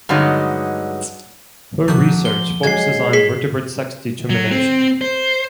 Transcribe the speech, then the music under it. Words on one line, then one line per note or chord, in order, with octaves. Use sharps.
Her research focuses on vertebrate sex determination.
G2 D3 F#3 G#3 D#4
F3 A3 F#4 D6 G6
C6 G7
F#3 G#3 G#6 C7
G#4 B6
F#3
C4
C5